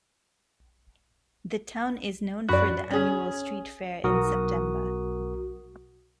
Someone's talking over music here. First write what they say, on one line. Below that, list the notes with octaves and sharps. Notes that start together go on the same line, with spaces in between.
The town is known for the annual street fair in September.
F#2 F#4 D5 B5 F#6
C#4 G#4
B1 F#4 A#4 D#6